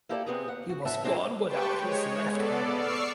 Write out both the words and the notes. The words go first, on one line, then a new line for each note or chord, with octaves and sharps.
He was born without his left hand.
A#3 E4 G4 A4 B4 D5
C3 G3 B3 C4 G4 G#4
D#2 F#5
F#4
E2 A2 D4 E5 F#5 A5
A#2 G#3 C4 D4 E4
G4 B4 C5 G5 A5 C#6
G#3 C#5
B3 A4 D5
D5 C#6 D6 E6 F6 C7